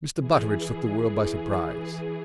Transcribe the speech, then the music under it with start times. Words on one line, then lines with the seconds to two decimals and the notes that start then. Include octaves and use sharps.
Mr. Butteridge took the world by surprise.
0.18 E3 G#4